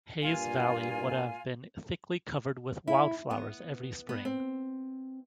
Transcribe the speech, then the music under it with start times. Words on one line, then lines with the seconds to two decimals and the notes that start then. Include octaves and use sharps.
Hayes Valley would have been thickly covered with wildflowers every spring.
0.21 G2 A#2 F4 G#5
2.88 E4
3.31 B3
4.09 B3
4.25 C4